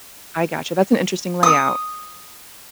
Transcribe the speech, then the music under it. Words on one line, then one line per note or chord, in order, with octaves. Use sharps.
I gotcha. That's an interesting layout.
D#6